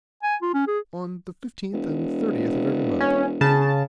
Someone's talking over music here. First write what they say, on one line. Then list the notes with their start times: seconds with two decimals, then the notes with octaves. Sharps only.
"On the fifteenth and thirtieth of every month."
0.23 G#5
0.42 F4
0.54 C#4
0.67 G#4
1.73 E1
3.01 C#4
3.41 C#3 A5